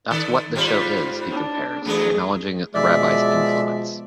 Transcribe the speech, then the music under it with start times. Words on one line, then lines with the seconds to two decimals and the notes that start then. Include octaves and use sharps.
That's what the show is, he compares, acknowledging the rabbi's influence.
0.11 D#3 A4 D5
0.55 G#2 G3 C4 F4
1.31 D4
1.85 E2 F#3 A3 D4 G#4
2.75 B2 F3 G#3 D5 E5